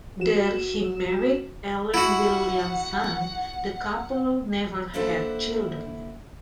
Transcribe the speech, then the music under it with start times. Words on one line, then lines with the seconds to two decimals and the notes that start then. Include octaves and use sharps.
There he married Ellen Williamson; the couple never had children.
0.20 F#4 E7
1.94 E4 F#4 F#5
4.94 A#3 D4 E4 A4 C5 F#5